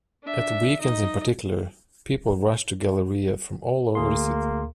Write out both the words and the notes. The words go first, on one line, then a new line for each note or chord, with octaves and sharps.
At weekends in particular, people rushed to Galleria from all over the city.
D4 E5
D#4 D#5
D2 A#3 G#4 C6